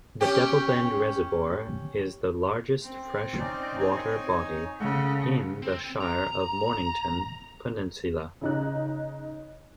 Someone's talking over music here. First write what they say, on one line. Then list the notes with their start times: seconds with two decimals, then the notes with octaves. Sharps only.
The Devilbend Reservoir is the largest freshwater body in the Shire of Mornington Peninsula.
0.21 C#4 G4
2.84 C4
3.39 C#4 D#4 D5
3.80 D#4 C#5 G#5
4.80 C#3 A4 F#5
5.62 C4
6.00 A#5
8.41 C#3 D#4 F#6